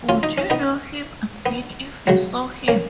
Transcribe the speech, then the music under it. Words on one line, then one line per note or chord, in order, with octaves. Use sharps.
Would you know him again if you saw him?
C#4 F4
D#4
C#4
B3 D#4
B3
C#3 F#3
A#3 C#4